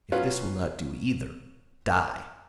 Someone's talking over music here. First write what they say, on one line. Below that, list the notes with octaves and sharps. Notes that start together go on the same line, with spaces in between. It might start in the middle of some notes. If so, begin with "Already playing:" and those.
If this will not do either, die!
F#3 B3 C#4 F4